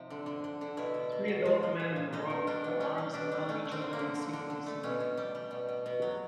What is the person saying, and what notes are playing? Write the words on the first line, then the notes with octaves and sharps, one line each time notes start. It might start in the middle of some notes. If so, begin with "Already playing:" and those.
Three adult men in a row with their arms around each other and seem to be singing.
Already playing: C3 F3 D#4
D3
D3
D3
D3
B2 E4
B2
B2
B2
G#3
F3
A#2
A#2
G3 D#4
B2
G3 D4
B2
G3 C#4
G3
B2 D4
G3
A3 C#4
D3
C4
F#3
A#3
D3
D3
D3
D3
A3
B2 C#4
B2
G3
G3
B2
B2
B2
F#3